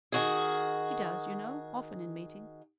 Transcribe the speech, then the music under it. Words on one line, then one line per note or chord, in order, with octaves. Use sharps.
"She does, you know, often in meeting."
D#3 F#4 G#4